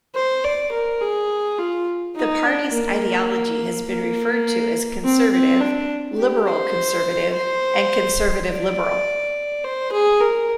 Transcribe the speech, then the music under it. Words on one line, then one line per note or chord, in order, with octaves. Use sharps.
The party's ideology has been referred to as conservative, liberal-conservative, and conservative-liberal.
C5
D5
A#4
G#4
F4
D#4
D4
A#3
A#3
C4
C4
D4
G4
C5
C5
D5
C5
G#4
A#4